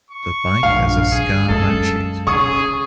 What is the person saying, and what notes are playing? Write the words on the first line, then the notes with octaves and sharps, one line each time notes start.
The bike has a scar ratchet.
C#6
A#1 G2 F5
D3 G#4
F#2 G#3 A4
C#3 G#4 C#6 D#6